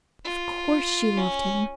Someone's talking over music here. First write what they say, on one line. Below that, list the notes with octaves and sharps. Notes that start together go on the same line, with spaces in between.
Of course she loved him!
F4
C#4